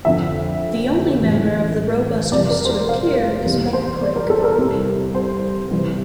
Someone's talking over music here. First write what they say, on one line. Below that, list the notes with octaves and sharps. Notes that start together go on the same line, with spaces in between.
The only member of the Ro-busters to appear is Mek-Quake.
F2 D3 F3 E5
A1 A2 G3
F2 C3 E3 G3 D5
A#4
C5
A#4
F5
E2 C3 E3 G3
C5
D5
A#4
A4
A#4
C2 C3 G3
C5
C2 C3 E3 G3